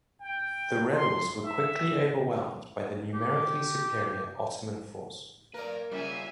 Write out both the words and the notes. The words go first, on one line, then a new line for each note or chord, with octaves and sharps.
The rebels were quickly overwhelmed by the numerically superior Ottoman force.
G5
C6
E5
G4
A#3 A#4 B4 D5
C#3 G3 F4 E5 G#5